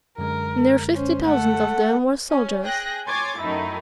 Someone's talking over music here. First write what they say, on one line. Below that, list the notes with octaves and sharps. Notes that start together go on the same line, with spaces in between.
Near fifty thousand of them were soldiers.
F#2 D3 G#3 A#4
C#4 C5
A3 A4 F#5
C#4
G#4 G5 F#6 A#6
C#5 G#5 C6 D6 G#6 A6
F#2 D#3 A3 D#4 E4